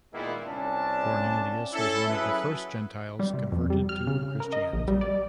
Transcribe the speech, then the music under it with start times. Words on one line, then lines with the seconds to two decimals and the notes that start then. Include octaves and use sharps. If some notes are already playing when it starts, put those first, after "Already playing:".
Cornelius was one of the first Gentiles converted to Christianity.
0.13 A#2 D#3 G#3 A#3 B3 E4
0.46 C2 C#4 D4 A5
1.72 C#4 E4 A4
2.09 F#3 C#4 E4 G#4 B4
3.19 G3
3.34 C3
3.52 F2
3.70 G3
3.89 F6
4.07 C#3
4.40 A#4
4.53 D#5
4.73 A#1
4.88 G3
5.01 D5